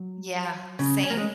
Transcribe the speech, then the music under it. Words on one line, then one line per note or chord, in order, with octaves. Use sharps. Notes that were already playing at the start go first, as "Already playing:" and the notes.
Yeah, same.
Already playing: F#3
C#3
C#4
A#3
G#3